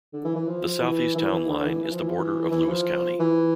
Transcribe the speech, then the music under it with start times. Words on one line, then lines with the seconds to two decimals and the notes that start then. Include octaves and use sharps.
The southeast town line is the border of Lewis County.
0.13 D3
0.24 E3
0.35 E3
0.47 F3
0.64 F3
0.81 E3
1.15 E3
1.32 E3
1.49 D3
1.66 E3
1.83 E3
1.91 F3
2.00 E3
2.08 F3
2.17 E3
2.51 E3
2.68 F3
3.19 E3